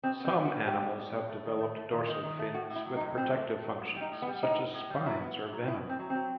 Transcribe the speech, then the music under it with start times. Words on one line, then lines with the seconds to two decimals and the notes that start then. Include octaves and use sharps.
Some animals have developed dorsal fins with protective functions, such as spines or venom.
0.03 B2 C4
0.20 B3 C4
0.36 B3
0.45 F#4
0.51 G3
0.66 G3 G4
0.82 B2
0.98 B2
1.13 B2
1.29 A3
1.45 D#3
1.60 A3
1.76 A3
1.92 D#3
2.08 D#3
2.23 D#3
2.39 A3
2.54 A2 F#4
2.70 A2
2.76 E4
2.86 F#3
2.96 D#4
3.01 A2
3.17 F#3 C4
3.33 A3
3.49 A3
3.64 F#3
3.80 B3
3.96 G3 D#4
4.12 A2
4.22 B3
4.27 G3
4.43 A2 D#4
4.58 B3
4.74 A2
4.90 G3
5.06 F#3 E4
5.21 B3
5.37 B2
5.52 F#3
5.68 B2 E4
5.83 B2
5.89 C4
5.99 F#3
6.10 F#3 C4